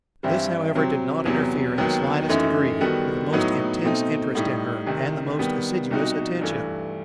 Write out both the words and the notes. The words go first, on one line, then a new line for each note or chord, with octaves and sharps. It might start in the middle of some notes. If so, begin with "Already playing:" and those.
This, however, did not interfere in the slightest degree with the most intense interest in her, and the most assiduous attention.
G2 E3 G3 C4 E4
C3 F#3 C4
E2 C3 F#3 B3
D#2 D#3 F#3 B3
F#2 E3 A3 D#4
D#3 G3 B3 F#4 A4
A2 F#3 B3 D#4
B2 A3 C4 D#4
A2 G3 D#4
C2 C3 D#3
D#3 G3 B3
C2 B2 G3 D#4 F#4
G2 E3 A3